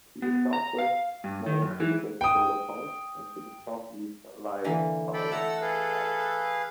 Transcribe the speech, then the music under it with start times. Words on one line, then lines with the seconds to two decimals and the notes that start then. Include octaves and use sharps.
To the southwest is the smaller crater Stoletov, and to the southeast lies Fowler.
0.22 B3
0.53 A#5
0.78 F5
1.24 G2
1.46 D#3
1.62 F#2
1.80 E3
2.21 G5 D#6
4.64 D3 E3 A#3
5.14 A4 D5 G5 B5
5.32 A3 E4 F#5 A5 A#5 E6
5.62 G#4 B4 F5